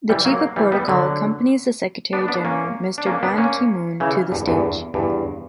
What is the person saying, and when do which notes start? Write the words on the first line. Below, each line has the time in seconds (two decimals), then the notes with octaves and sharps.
The chief of protocol accompanies the Secretary General Mr. Ban Ki-moon to the stage.
0.09 E3 G3
0.25 F#3 A#3
0.56 E3 G3
0.72 G3 B3
0.88 D3 F#3
2.13 B3 D4
2.28 B3 D4
2.45 A#3 C#4
2.98 D4
3.06 A#3 C#4
3.23 B3 D4
3.38 A#3 C#4
4.00 C#3 E3
4.32 E2 G2
4.48 E2 G2
4.94 E2 G2